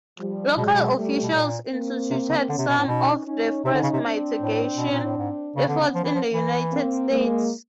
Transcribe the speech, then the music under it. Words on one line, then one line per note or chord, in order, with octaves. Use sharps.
Local officials instituted some of the first mitigation efforts in the United States.
F3 G3
B2 F#3 G#3
A#2
B2
G3 A3
B2
A#2
A#3 C4
C3
C#3
D3 B3 C#4
C3
B2
A2
B2 C#4 D#4
C#4 D#4
C3 C#4 D#4
D3
C#3
C3
C4 D4
A2
B2
A#2
A2
G#2
C#3 B3 C#4
D3
C#3
F3
E3
F3
E3
A#3 C4
G#3 A#3